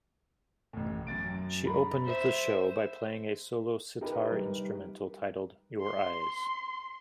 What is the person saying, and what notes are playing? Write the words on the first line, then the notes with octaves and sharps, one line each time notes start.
She opened the show by playing a solo sitar instrumental titled "Your Eyes".
A1 A2
F#2 A6 D7
A#5 B5
C5 E5
D#4 G4 A#4 B4
G3
C6